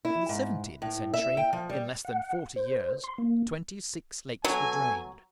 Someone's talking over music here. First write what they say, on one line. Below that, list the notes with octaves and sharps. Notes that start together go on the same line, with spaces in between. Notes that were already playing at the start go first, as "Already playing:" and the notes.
In the seventeenth century, in less than forty years, twenty-six lakes were drained.
E4
G#2
A2
E5
G5
F3
G3
F#5
C5
C6
A#3
F#3 B3 A4 G#5